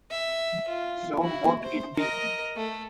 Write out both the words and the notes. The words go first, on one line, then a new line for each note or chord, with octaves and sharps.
So mote it be.
E5
F4
E4 F#4
C5
A#4 D#5
A3